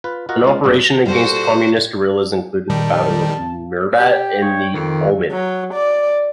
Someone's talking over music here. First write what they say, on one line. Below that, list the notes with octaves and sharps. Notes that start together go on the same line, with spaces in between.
An operation against communist guerillas included the Battle of Mirbat in the Oman.
F4 B4
F4 F#4 A#4 D#5 F#5
G#3 C#4 F4
G2 A#2 G3 A#3 C4 F#4
G3 F4 F#4 A4 C5
A#2 D#3 G3 A5
G4 G5
G#3 C#5
F2 D#3
F#3
D5